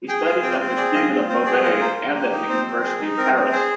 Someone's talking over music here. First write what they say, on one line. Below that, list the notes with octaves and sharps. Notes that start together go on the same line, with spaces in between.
He studied under Stephen of Beauvais and at the University of Paris.
G#4 G5
F4 F5
C4 G5
D5
C4
C5
G#4 D5
F4 D#5
C4
C4 C5
G#4 D5
F4 C5
A#3 C5
A#3
G4
D#4
C4 C5
C4
G#4
D#4
C4 A#4
C4
G#4 C5